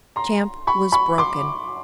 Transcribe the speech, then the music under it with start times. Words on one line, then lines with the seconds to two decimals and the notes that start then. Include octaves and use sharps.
Champ was broken.
0.16 A#5 C6
0.67 B5 C#6
0.92 B5 C#6
1.18 C6 D6